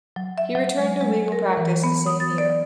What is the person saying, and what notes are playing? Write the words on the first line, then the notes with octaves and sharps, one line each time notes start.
He returned to legal practice the same year.
F#3
E5
F#3
G#3
G#3
A#4
E3
B3
D#6
A6
D5